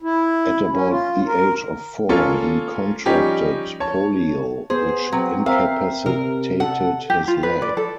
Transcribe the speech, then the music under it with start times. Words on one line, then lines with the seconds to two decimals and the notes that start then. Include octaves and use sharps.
At about the age of four he contracted polio, which incapacitated his leg.
0.02 E4
0.71 C#4
0.89 F4
1.26 A#4
2.09 A#3 C#4 F4 A4
3.06 F3 G3 C#4 D#4 G4
3.80 C#5 A5
4.70 B3 G#4 C5
5.12 F#3 C4
5.46 C4 A#4 E5 F5
6.06 C3 A#4
6.60 A4 F#5
7.10 G4
7.28 F4
7.43 B4
7.62 D5
7.77 A4